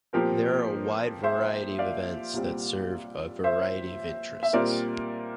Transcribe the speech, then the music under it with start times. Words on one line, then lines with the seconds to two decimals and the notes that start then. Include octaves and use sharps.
There are a wide variety of events that serve a variety of interests.
0.13 A#2 F3 C4 G4 A#4
1.23 C5 E5
1.78 D5 F5
2.33 C2 A#2 G3 C4
3.44 C5 E5
4.43 E5
4.53 A#2 G3 C4 A#4 D5